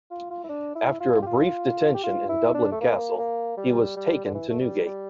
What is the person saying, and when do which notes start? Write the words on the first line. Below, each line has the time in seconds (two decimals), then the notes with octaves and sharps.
After a brief detention in Dublin Castle, he was taken to Newgate.
0.11 F4
0.30 F4
0.44 E4
0.49 D4
0.75 E4
1.01 F4
1.22 G4
1.27 F4
1.94 G4
2.04 F4
2.29 E4
2.55 D4
2.72 A3
2.81 A#3
3.19 A#3
3.57 G3
3.96 G3
4.25 D3
4.34 E3
4.50 A3
4.60 G3
4.86 G3